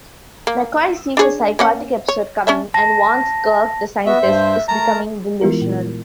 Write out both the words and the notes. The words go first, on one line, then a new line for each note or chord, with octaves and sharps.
McCoy sees a psychotic episode coming, and warns Kirk the scientist is becoming delusional.
A#3
D4 G#4 C#5
A#3 C#4 F#5
C#5
C#4 D4 E5
A5 A#6
B3 F#4 E5
G2 C5
A3 A#4 A5 A#5
E3 G#3 B3 E4 F4 A#4
A#2